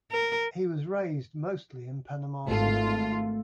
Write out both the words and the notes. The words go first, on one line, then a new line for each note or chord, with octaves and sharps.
He was raised mostly in Panama City.
A#4
G#1 A3 F4 A4